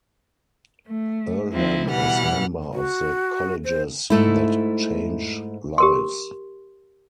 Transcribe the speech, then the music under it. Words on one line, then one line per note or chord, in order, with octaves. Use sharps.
Earlham is member of the Colleges That Change Lives.
A3
F3 C4 D#4 E4
B2 E3 G3 F#5 F6
F#4
C5
G#2 A3 E4
G4 A#4 C6